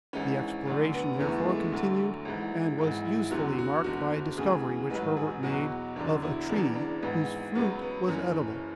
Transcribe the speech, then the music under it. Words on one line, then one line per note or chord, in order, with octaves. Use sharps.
The exploration, therefore, continued, and was usefully marked by a discovery which Herbert made of a tree whose fruit was edible.
G#1 G#2 E3 C#4
D2 D3 F#3 D4
B3
E2 C#3 E3 B3
A3
G#3
A3
D2 D3 F#3
G#1 G#2 E3
G#1 G#2 E3
E4
E2 D3 F#3 F#4
F#4
F#1 E2 D3 F#4
D2 C#3 E3 G#4
A1 G#2 F#3 B4
G#4
E2 B2 F#3 F#4
E1 E2 D3 F#3 D4
E4
E1 E2 C#3 E3 D4
D4
G#1 G#2 E3 B3
C#2 C#3 F#3 B3
B3
F#1 F#2 E3 C#4